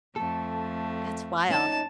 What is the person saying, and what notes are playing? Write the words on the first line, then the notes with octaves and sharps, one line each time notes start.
That's wild.
F2 A3 A4
C#4 D#4 A5